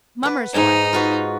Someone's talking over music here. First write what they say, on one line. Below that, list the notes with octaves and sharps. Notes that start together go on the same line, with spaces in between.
Mummer's wire.
B4 F#5
G#2 D#4 D#5 G#5
F4 F#4 B4